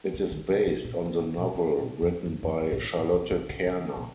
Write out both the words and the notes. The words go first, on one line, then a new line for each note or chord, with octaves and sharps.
It is based on the novel written by Charlotte Kerner.
C#3
D#3
C3
C3
A#2
C3
C#3
A#2
C#3
A#2
F2
F#2
F2
F#2
A#2
A2
A2
C3
C#3
C#3
C#3
A#2